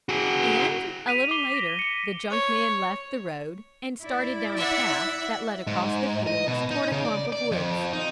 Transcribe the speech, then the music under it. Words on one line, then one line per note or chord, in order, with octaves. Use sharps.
And, a little later, the junk man left the road, and started down a path that led across the fields toward a clump of woods.
F#4 G#4
B6 D#7 F7
D6 C7 G7
A#6 D7 D#7
C#7 D#7
C#5
E4 D5
E5 F#5
G#2
D#5
B2
D#4
C#3
D5
D5
F2
D#4